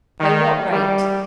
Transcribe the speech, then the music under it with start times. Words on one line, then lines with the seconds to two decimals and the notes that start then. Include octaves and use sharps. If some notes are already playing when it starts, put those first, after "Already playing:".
By what right?
0.20 D#3
0.71 G3